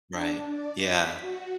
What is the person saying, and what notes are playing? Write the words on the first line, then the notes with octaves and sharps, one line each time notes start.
Right. Yeah.
D4
D5
B6
F#4